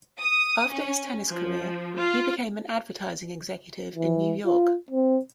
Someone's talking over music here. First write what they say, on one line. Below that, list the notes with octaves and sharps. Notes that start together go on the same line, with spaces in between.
After his tennis career he became an advertising executive in New York.
D#6
C#4
F3
F4
E3
F4
C4